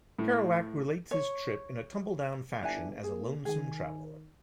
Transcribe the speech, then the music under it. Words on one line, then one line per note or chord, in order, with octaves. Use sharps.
Kerouac relates his trip in a tumbledown fashion as a lonesome traveler.
A2
C#5
G1 D4 E4 G#5
A#3 G#4
D#3 G#4 G#5